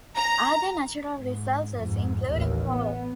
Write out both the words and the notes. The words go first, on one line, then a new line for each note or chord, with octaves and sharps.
Other natural resources include coal.
A#5
G#2
F2 G#2
A1 D#2
B3